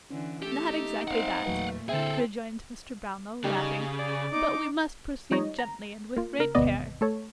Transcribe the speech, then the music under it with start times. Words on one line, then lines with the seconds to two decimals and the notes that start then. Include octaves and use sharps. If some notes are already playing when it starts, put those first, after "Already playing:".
'Not exactly that,' rejoined Mr. Brownlow, laughing; 'but we must proceed gently and with great care.'
0.10 D3 E3 C#4
0.42 A3 G4 A4
0.71 D#4
1.08 C4 F5 F#5
1.46 E2 A#2 F#3 A3 B4
1.89 D3 C4 E4 G#4 A4 E5 G5
3.44 C#3 G3 D#4
3.99 D5
4.32 D#4 D6
5.31 F3 G3 D#4 C#5 D#5
5.59 A#5
6.17 A#3 F4
6.39 C#3 A#4
6.55 G#1 E2 C3 B3 D5 D#5
7.01 A3 A4 C#5